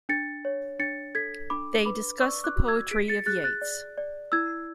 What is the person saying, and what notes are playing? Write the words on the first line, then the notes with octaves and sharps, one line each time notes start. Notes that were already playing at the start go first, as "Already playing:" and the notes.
They discuss the poetry of Yeats.
D4 A6 C#7
C#5
D4 A6 C#7
A4 G#6 B6
D4 B5 D6
B4 B5 D6
D5 C#6 E6
D6 F#6
F#4
E6 G#6
G#4 B6 D7
A6 C#7
G#4 F#6 A6
F#6 A6
D5
D5
E4 E6 G#6